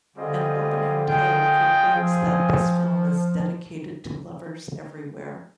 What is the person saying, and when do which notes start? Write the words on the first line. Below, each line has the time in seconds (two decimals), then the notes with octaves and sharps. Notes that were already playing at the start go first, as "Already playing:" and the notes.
An opening title proclaims that this film is dedicated to lovers everywhere.
0.16 D3 G3 C4 F4 G#4 D#5
1.05 F4 G#4 D#5 G5
1.95 F3 C4 F4 G#4